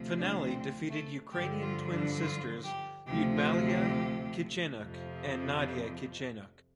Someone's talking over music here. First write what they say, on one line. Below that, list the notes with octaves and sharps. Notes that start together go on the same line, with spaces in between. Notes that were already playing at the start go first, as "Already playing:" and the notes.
Finale defeated ukrainian twin sisters Lyudmyla Kichenok and Nadiia Kichenok.
Already playing: D2 C3 F3
D4
C4
A3
G2 D3 F3 G4
F4
D4
F4
G4
D2 C3 F3 G4
F4
G4
F2 C3 F3